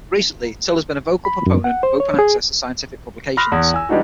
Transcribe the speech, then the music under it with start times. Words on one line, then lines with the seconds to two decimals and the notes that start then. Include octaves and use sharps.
Recently, Till has been a vocal proponent of open access to scientific publications.
1.25 B5
1.46 F#2
1.64 F#5
1.83 C5
2.00 C#5
2.19 G#4
3.37 B5 C6 D#6 F6 F#6 A#6
3.52 E2
3.74 G#5 E6
3.89 E3 G3 G#3 D4 D#4 F#4